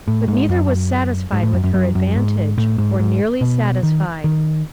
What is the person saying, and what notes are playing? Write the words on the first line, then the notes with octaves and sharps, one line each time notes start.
But neither was satisfied with her advantage, or nearly satisfied.
A2
G#2
F#2
G#2
A2
F#2
F#2
F#2
F#2
G#2
A2
G#2
G#2
B2
D#3
D#3